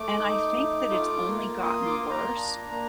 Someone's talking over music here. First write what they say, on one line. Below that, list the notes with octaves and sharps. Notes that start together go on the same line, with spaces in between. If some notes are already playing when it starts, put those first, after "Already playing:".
And I think that it's only gotten worse
Already playing: A3 D6
D#4
A3
F4
A#3
F4 D#6
C6
D6
A#3
A#5
D4
A#3